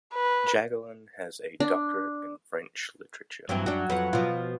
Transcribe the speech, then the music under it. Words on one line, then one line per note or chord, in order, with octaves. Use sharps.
Jacqueline has a doctorate in French Literature.
B4
D4
G2 E3 F#3 C4
F#2 D4 F#4 G5
F2 B4 C#5 F#5
B2 F3 F4